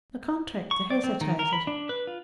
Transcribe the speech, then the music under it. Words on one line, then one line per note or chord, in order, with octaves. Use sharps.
The contractor hesitated.
C#6
D5
C4
D#3
A#4
B5
D4
B4
F4